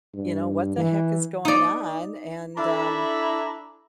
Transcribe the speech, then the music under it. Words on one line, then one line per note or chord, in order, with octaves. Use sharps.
you know, what the heck is going on and, um,
G2
E3
D#4 D5
D4 E4 A4 E5 A#5 B5